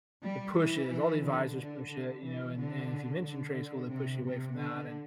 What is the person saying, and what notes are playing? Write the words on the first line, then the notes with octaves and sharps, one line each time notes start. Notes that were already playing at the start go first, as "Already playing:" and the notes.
the push is, all the advisors push it, you know, and and if you mention trade school, they push you away from that, and
G3
E3
D3
D3
D3
E3
D3
D3
C3
C3
D3